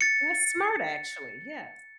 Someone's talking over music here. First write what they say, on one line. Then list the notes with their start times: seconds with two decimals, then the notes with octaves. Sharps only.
That's smart actually, yes.
0.01 A6 C#7